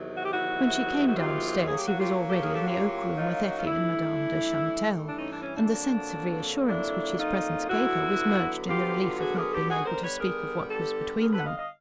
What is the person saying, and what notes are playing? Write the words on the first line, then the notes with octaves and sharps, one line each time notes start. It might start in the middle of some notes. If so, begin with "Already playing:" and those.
When she came downstairs he was already in the oak-room with Effie and Madame de Chantelle, and the sense of reassurance which his presence gave her was merged in the relief of not being able to speak of what was between them.
Already playing: E2 C3 D#3 F#3
F#4
G4
E4 F#4
F#4
F4 G4
A2 F#3 A#3 C#4 G#4
G4
F#4
F4 G4
G4 A4
G#4 A#4
G4 A4
F#4
F4 G4
D#4 F4
F#4
F4
G2 E3 A3 D4 E4
D4
C#4 D#4
D4
C#4
D4
F2 D3 F#3 A#3
D4 E4
D#4 F4
D3 F#3 B3 E4 F#4
F4 G4
F#4 G#4
G#4 A#4
G4 A4
D3 G3 B3 F#4 G#4
A#4 C5
B4 C#5
G#4 A#4
G4 A4
G#4 A#4
A4 B4
F#5
D#5 F5
D#5 F5